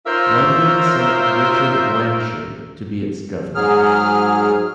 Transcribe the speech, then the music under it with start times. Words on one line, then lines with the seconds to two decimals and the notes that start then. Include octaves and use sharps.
London sent Richard Blanshard to be its governor.
0.07 D#4 F4 A#4 C5 C#5 E5
3.55 G#2 F#3 G#4 F6